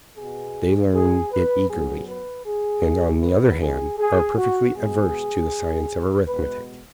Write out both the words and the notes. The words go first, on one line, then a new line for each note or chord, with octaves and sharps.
They learn it eagerly, and on the other hand, are perfectly averse to the science of arithmetic.
B2 B3 G#4
G#4
B4
F#2 F#3 B3 G#4
B4
G#4
D#2 D#3 F#3 B3 B4
G#4
G#4
F#4
B2 G#3 B3 G#4
B2 G#3 B3 B4